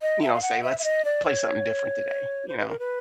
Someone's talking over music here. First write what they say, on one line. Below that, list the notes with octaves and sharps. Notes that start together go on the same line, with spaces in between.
you know, say, "Let's play something different today," you know?
D#5
E5
F5
F#5
E5
E5
D#5
D5
C#5
C5
B4
A#4
B4